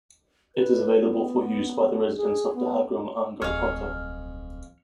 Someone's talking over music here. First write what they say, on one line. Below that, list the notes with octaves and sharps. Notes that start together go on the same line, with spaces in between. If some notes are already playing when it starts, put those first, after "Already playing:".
It is available for use by the residents of Dahagram-Angarpota.
B4
B3
G#4
B3
D1 B1 F2 G#4 F5 C#6 F6